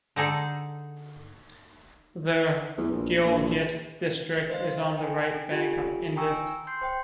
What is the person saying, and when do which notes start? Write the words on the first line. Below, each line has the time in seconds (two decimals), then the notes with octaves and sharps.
The Gilgit district is on the right bank of Indus.
0.16 D3 D#4 G#4 A4
2.78 E2
2.92 A#1
3.24 A#1
4.50 C5 D#5 F5
4.97 G5 G#5
5.51 F4 G4 A4 G#5
6.16 G5 G#5 A#5 C#6 D#6 E6
6.67 C6 G6 C7
6.81 C5 G5